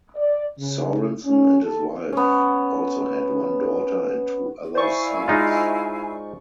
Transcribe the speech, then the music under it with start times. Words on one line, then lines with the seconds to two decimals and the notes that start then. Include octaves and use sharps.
Sorensen and his wife also had one daughter and two other sons.
0.16 D5
0.59 C#3
1.24 C#4
1.62 A4
2.13 B3 C#4
4.75 E4 C5 D5 F5 G#5 C#6
5.28 G#3 D#4 F4